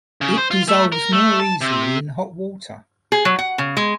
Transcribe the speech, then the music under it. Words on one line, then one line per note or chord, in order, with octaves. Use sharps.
It dissolves more easily in hot water.
C#3
C5
F4
A3
A#4
A3
A5
C3
G#4
F#3
F#5
C#3
G#3